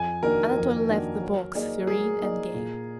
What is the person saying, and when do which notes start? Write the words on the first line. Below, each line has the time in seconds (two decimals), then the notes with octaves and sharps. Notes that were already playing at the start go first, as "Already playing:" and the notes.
Anatole left the box, serene and gay.
Already playing: F2 G#5
0.23 D#3 A#3 D4 F#4 A#4
0.57 F2
0.89 D#3 A#3 D4 F#4
1.22 F#3
1.55 A#3 D#4 G#4 D5
1.87 F#3 G#4
2.21 A#3 D#4 G#4 D5
2.54 A#2